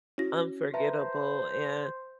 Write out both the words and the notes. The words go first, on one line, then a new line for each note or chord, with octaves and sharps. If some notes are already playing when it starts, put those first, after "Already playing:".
unforgettable, and
C#4 E4 F#4 A#6
B4 C5 E5 A5 A#5